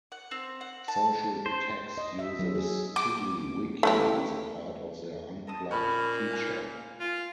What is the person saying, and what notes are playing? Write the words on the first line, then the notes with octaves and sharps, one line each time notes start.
SocialText uses TiddlyWiki as a part of their unplugged feature.
F#5
C4
F#5
A5
C5
D#5
E5
F#3
G#4
D6
A3 E4 G4
D#5 A5 D#6
A#2 C#4 B5 F6
F5 G5 G#5
F4